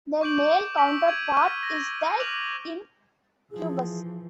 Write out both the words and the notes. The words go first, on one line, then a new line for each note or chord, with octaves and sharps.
The male counterpart is the incubus.
C#6 D6 G6 D7 F#7
C#6 D6 E6 B6 D7 F#7
G#6 D#7 F#7
F6 D#7
A#6
D6 F6 F#6 F7 F#7
E3 F3 G#4